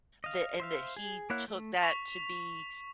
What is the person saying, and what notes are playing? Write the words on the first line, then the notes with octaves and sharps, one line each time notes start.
that and that he took that to be
D#5 F5
C5 E5 F5
G#4
A#3 E4 C#5 F#5 F#6
A3
C#6 B6 F7